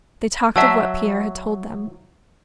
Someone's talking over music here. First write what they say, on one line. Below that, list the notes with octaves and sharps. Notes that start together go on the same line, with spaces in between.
They talked of what Pierre had told them.
F#3 E5 F#5 A5 E6